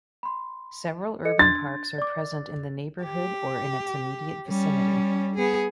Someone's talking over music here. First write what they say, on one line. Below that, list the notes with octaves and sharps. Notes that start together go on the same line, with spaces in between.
Several urban parks are present in the neighborhood or in its immediate vicinity.
B5 C6
A4 D#5 C#7
D4 C6 G#6 A6
D5 D6
G4
G3 C#4
B3 G#4